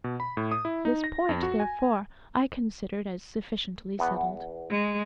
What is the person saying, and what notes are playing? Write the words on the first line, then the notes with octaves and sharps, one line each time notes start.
This point, therefore, I considered as sufficiently settled.
B2
B5
A2
D#6
E4
D#4
A#6
F2
F#4
G#5
E2 B3
G#3